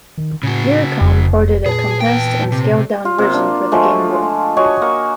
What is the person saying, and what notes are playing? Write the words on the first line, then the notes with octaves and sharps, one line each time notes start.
Eurocom ported a compressed and scaled down version for the Game Boy.
D#3
A2 C#3 F#4
F1 F2
A#2 G#4 B4 A5
E2 G5
C3
F4
C3 A#3
D4
F3 G#3 A3
F#4 C#5 D#5 G#5
A#3 C#6